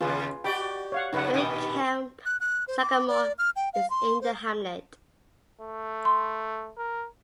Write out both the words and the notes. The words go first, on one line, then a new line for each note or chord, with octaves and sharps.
Great Camp Sagamore is in the hamlet.
D#2 C#3 F4 G#4 B4
F#4 G4 D5 G5 B5
C#5 F5 F#5
F2 C#3 D#4 B4 F#5
G2 A#2 D#3 G5 G#5 D#6
F#6
F#6
C5
D6
D5
F6
G5
F5
C6
C5
A3
C6
A#4